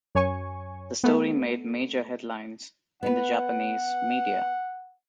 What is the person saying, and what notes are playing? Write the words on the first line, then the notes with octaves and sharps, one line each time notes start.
The story made major headlines in the Japanese media.
F#2 C#5 G#5 C#6
A3 B3
B3 B4 F#5